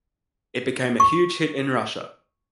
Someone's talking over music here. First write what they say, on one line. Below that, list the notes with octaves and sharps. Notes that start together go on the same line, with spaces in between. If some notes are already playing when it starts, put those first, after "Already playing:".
It became a huge hit in Russia.
C#6